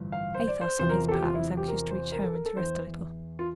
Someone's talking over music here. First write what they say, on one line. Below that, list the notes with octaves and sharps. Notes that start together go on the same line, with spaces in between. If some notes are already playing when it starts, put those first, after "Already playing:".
Athos, on his part, was anxious to reach home and to rest a little.
Already playing: A1 G2 D3 F3
F5
C5
D5
C5
E2 C3 F3 C5
A#4
A4
G4
F4
E4
G4
A#4
C5
A#4
A4
A#4
A4
E2 E3 C5
F4